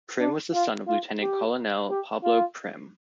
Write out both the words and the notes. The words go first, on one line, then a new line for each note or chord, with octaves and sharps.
Prim was the son of lieutenant colonel Pablo Prim.
D4
F4
F4
G4
G4
F4